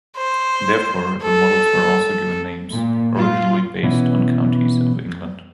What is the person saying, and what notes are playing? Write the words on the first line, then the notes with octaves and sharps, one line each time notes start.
Therefore, the models were also given names, originally based on counties of England.
C5
A4
A#2
F4
B2 E3 B3 C#4 E4